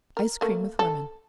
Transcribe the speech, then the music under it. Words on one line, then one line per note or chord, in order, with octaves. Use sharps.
Ice Cream with Lemon.
A#4
A3 A#3
A4